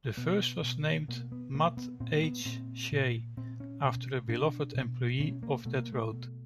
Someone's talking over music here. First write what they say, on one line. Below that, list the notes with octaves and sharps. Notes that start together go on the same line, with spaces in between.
The first was named "Matt H. Shay", after a beloved employee of that road.
B2 B3
B2
B2 A#3
B3
B2 A#3
B3
A#2 C4
A#3
B3
A#2 C4
A#2
A#2 C4
C#4
B2
B2 D4
B2
B2 C#4
A#3
B2 A3
A#3
A3
B2